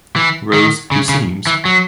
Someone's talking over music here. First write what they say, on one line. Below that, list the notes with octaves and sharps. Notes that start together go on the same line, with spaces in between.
Rose who seems.
E3
D#3
C#3
C#3
E3
F#3